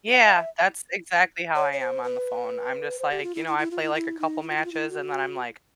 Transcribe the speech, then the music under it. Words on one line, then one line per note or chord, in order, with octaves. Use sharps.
Yeah, that's exactly how I am on the phone, I'm just like, you know, I play, like, a couple matches and then I'm like,
F#5
F5
E5
C#5
C#5
C5
B4
C5
G4
F4
E4
E4
E4
F4
E4
E4
D#4
E4
F4
E4
F4
E4
F#4